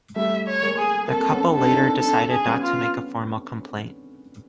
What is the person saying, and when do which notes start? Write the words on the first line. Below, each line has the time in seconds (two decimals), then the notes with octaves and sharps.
The couple later decided not to make a formal complaint.
0.16 G3 A3 E5
0.48 C#5
0.62 G#3 A#3
0.78 G#4
1.08 A#3 C4 A4
1.20 C4
1.31 B3 C#4
1.54 C4 D4 A4
1.71 D#4
1.77 C4 D4
2.00 C4 D4 A4
2.31 G#4
2.47 B3 C#4
2.62 F4